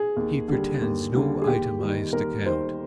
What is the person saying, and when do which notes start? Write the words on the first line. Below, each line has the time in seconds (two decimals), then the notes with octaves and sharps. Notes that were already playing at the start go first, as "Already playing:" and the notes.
He pretends no itemised account.
Already playing: G#4
0.16 D#2
0.48 D3 G3
0.82 D#2
1.14 D3 G3
1.42 G#4
1.47 D#2 G4
1.79 D#3 G3
2.12 D#2 A#4
2.45 D#3 G3 C5